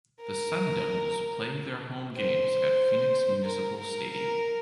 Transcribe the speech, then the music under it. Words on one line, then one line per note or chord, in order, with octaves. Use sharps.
The Sun Devils play their home games at Phoenix Municipal Stadium.
A#4
C5
A#4
A#4
A#4